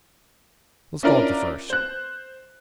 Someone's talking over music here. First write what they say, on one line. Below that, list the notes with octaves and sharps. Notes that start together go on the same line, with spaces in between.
Let's call it the first.
C#4 D4 E4 F4 A#4 D5
C5 F#6